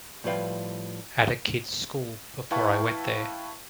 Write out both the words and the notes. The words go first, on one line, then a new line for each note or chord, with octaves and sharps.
At a kid's school before I went there.
A2 F3 G3 B4 F5 G5
E4 B4 F5 G5 A5 C#6